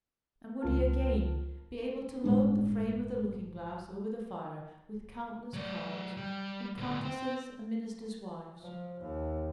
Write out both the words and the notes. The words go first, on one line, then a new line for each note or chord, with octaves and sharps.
And would he again be able to load the frame of the looking-glass over the fire with countless cards from Countesses and Ministers' wives?
C#2 F4 A#4 A5 F6
G1 A2 G#3 D4
F#3 D5
G3
D2 A#2
C4
F3
D#2